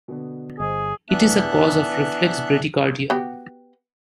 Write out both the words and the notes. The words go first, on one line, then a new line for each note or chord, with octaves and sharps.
It is a cause of reflex bradycardia.
B2 D3 B3
G1 G#4 C5 D#5
E3 B3 D4 E5 F#6
B3 F#4 G4